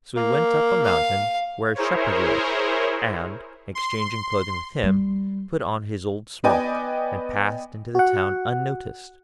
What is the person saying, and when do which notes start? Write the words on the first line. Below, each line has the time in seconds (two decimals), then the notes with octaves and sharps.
So he went up a mountain, where a Shepherd lived, and, exchanging clothing with him, put on his old smock, and passed into the town unnoticed.
0.17 A#3
0.84 F5
1.75 E4 G#4 A#4 C5 C#5
3.75 C6
4.83 G3
6.44 B3 B4 D5 D#5 G5 G#5
7.95 F#4 F#5